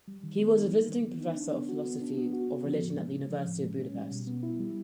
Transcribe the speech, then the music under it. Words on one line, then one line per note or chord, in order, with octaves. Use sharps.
He was visiting professor of philosophy of religion at the University of Budapest.
G3
D#3
B3
D#4
G3
D#3
B3
D#4
D4
B3
F#4
B3
D4
B3
F#4
B3
F3
A2
G#3
C#4
F3
A2
G#3
C#4
G3
B2
B3
E4
G3